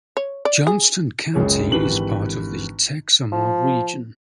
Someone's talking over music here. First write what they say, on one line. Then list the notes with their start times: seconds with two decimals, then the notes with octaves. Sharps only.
Johnston County is part of the Texoma Region.
0.17 C#5
0.45 D5
0.67 G#4
1.34 F#1 C#2 G#4 C#5
1.71 G#1 D3 E3 G4 B4 F#7
3.32 F3